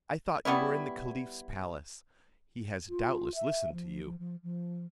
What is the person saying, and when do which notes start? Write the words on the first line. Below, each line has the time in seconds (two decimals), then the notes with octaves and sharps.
I thought you were in the caliph's palace; he has doubtless listened to you.
0.45 G3 B3 C#4 E4
2.88 F4
3.35 E5
3.72 F3
4.05 F3
4.19 F3
4.43 F3